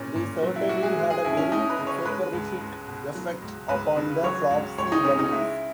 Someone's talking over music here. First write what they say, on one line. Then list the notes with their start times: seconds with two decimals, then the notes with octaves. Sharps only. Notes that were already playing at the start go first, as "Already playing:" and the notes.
They certainly had a very soporific effect upon the Flopsy Bunnies!
Already playing: A#2 C#3 C#4
0.16 A#2
0.42 F#3
0.56 E4
0.69 F#3 F#4
0.83 G#4
0.97 G#3
1.10 G#4
1.24 D#2 E4
1.37 C#4
1.51 D#2 D#4
1.70 B4
1.79 C#3
1.87 C#5
2.05 G#3 B4
2.33 C#2
2.61 C#2
2.87 B2
3.15 F#3
3.42 C#2
3.69 C#2 B4
3.96 C#3
4.23 F#3 C#5
4.51 C#2
4.78 C#2 C#5
4.92 D#4
5.05 C#3 C#4
5.19 D#4
5.32 G#3 E4